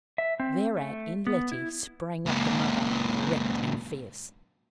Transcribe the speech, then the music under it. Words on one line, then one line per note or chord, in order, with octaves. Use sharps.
Thereat in Letty sprang up the mother, erect and fierce.
E5
C4
A3
B3
E4
C#2 A#2